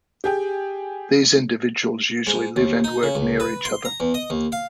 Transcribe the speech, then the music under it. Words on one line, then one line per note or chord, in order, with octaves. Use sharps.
These individuals usually live and work near each other.
G4 G#4 G5
G#2
D#2
D#4
C#3
C#2
B4
C6
A#5
E2
D#5
D#2
F5